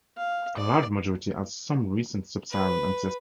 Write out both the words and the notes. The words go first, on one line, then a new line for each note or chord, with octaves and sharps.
A large majority has some recent Subsaharan ancestor.
F5
D5
B4